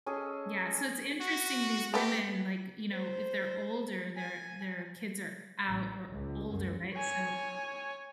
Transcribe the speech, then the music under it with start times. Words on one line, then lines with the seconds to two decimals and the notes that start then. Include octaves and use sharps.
Yeah, so it's interesting, these women, like, you know, if they're older, their their kids are out or older, right? So
0.06 C#4 G#4 A4 D#5
1.21 F#4
1.94 A3 B3 G4
2.91 C5
4.17 G#5
5.64 A1
6.09 C#2
6.48 F#2
6.95 C#5 G#5